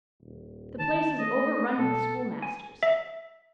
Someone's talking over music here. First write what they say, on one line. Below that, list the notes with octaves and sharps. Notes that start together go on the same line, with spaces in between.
The place is overrun with schoolmasters.
D#1
D#3 A5
A3 D#5
B2 A4
G#5
E5